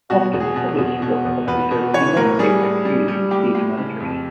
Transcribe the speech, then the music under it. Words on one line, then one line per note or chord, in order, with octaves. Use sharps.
Often followspot operators do not take their cues from stage managers.
B2 F#4
E2
G#4
B2
E2
B2
E2
E2 B4
B2
E3 C#5
A2 A#4
G3 G#4
A2
G3
G3
A2 G4
A2
C#3
F2